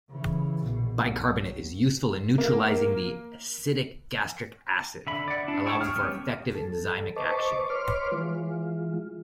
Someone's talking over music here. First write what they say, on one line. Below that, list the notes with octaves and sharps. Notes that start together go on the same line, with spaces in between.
Bicarbonate is useful in neutralizing the acidic gastric acid, allowing for effective enzymic action.
C#3 E3
A#1 B2
B1 F#3
A#3
D3 E5 B5
D5 F#5
D4 E4
G#4 C#5 G5 A5 C#6
F6
G3 B3 C#4 G4
A4
B4 C5 D#5 A5 C#6 D6
B4 C#5 C6 D6 F6
E3 G#3 F4